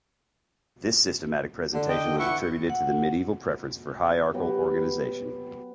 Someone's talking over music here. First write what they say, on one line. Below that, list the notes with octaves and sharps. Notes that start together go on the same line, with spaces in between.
This systematic presentation was attributed to the Medieval preference for hierarchal organization.
D3
D#5 G5
D3 E3 E4 F#5 C#6
F#5
F#3 B3 G4